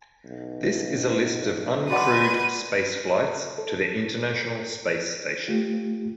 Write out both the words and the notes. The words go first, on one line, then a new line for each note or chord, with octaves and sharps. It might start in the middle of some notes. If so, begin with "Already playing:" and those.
This is a list of uncrewed spaceflights to the International Space Station.
B1
G#3 F#4 B4 D5 F#5 D#7
A4
A3 F4 G4